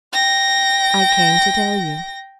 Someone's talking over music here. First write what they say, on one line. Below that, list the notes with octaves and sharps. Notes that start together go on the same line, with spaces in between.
"I came to tell you."
G5 A#6